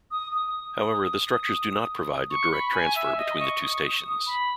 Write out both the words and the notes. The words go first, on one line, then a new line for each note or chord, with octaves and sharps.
However, the structures do not provide a direct transfer between the two stations.
D#6
D#6
C#6
B5
G#5
E5
D#5
C#6
D#6
C#6
D#6
B5